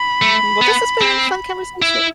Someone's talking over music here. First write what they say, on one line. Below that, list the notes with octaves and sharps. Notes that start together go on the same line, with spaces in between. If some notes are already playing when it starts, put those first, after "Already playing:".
Mhm, well, this has been a fun conversation,
Already playing: B5
A3
B3
C4
E4